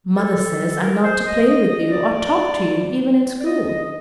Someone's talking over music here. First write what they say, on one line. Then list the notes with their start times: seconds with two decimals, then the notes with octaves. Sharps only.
Mother says I'm not to play with you or talk to you even in school.
0.16 A4
0.72 A4
0.82 A#4
1.03 C5
1.26 D#5
1.48 D#5
1.70 D#5
1.92 D5
3.41 D5
3.45 D#5
3.67 D#5
3.85 D#5